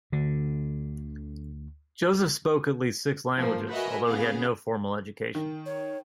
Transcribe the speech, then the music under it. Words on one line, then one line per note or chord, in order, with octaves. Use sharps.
Joseph spoke at least six languages although he had no formal education.
D2 D3
G#2 F3 A#3
F#4 A#4 B4 D#5 E5 G#5
C#3 B3 G#4 F5
D#3
C#5